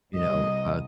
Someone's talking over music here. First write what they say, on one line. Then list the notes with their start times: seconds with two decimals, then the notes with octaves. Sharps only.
you know, uh
0.16 C2 D#5